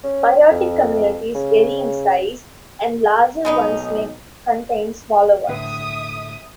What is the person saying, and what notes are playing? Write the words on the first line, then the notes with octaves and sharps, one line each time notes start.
Biotic communities vary in size, and larger ones may contain smaller ones.
C#4
F2
C#3
B1 G#3 B3 D#4
A2 D3 B4 E5 D#6